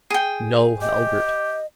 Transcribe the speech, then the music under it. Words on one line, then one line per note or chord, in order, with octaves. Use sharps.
No, Halbert!
G#4 G5
G4 D#5